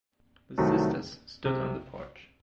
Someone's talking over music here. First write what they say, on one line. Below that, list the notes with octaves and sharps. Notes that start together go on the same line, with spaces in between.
The sisters stood on the porch.
C2 C3 D#3 F#3 A3
C3